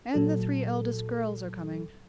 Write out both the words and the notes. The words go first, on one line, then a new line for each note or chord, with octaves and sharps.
"And the three eldest girls are coming."
A#2 F#3 A4